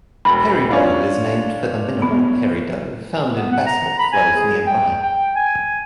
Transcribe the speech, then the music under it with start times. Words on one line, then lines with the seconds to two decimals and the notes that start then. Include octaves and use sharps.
Peridot is named for the mineral peridot, found in basalt flows nearby.
0.25 E1 B5
0.70 C#4 D4 F4
2.02 B3
3.34 B3
3.52 F#5
3.66 A#5
3.99 B5
4.13 G#5
4.36 G#4
4.67 G5
5.03 G5
5.36 G#5